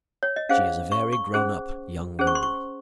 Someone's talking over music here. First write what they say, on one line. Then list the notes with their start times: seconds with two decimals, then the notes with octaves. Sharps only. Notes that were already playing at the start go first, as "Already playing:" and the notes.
She is a very grown-up young woman.
0.23 C#5
0.36 D#5
0.49 C#4 G#4 C5 F5
0.92 C#6
1.13 C#6
1.34 C#4 G#4 C5
2.19 C#4 G#4 C5
2.27 C#6
2.35 C6
2.43 C#6